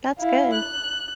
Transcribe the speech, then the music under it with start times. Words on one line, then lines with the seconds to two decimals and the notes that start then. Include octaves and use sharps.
That's good.
0.18 E4 F5
0.54 F#6